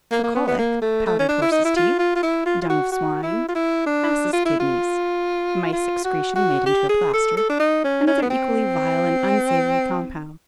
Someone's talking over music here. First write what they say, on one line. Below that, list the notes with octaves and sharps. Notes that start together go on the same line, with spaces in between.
For colic, powdered horse's teeth, dung of swine, asses' kidneys, mice excretion made into a plaster, and other equally vile and unsavory compounds.
A#3
A#3
B3
B3
A#3
A3
A3
C#4
D4
E4
D#4
E4
F4
F4
F4
E4
F4
F4
F#4
F#4
E4
F4
E4
D4
F4
E4
F4
F4
F#4
F#4
G4
G#4
A4
A4
D4
D#4
C#4
C#4
B3
C4